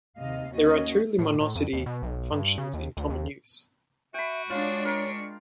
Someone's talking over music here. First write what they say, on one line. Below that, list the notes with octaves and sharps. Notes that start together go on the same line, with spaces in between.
There are two luminosity functions in common use.
D#2 C3 D#5 F5
D#2 A#3 C#4 F#4 D#5
A2
A2
F2
D#2
B2
B1
G2
C#3
D#2
D2
D#2
F#4 E5 G5 B5
G#3 D4 F4 C#5
A#4 C#6